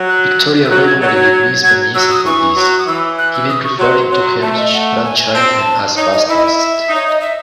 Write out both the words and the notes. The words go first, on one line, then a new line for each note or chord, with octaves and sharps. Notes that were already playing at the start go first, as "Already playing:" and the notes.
Victoria regularly degrades Vanessa for this, even referring to her grandchildren as "bastards".
Already playing: F#3
F#6
E6
F#3 F#6
G#6
F#3 A6
G#6
G#6
F#3 G#6
F#3 E6
D#6
E3 C#6
F#3
D#6
E3 E6
F#6
E6
D#6
C#6
F#3 C6
F#3 C6
A3 A5
D#5
F#5
G#5
G#5
C4 A5
D#4 C#5
D#5
E4 E5
D#5
E5
E5
D#4
C#5
D#5
E5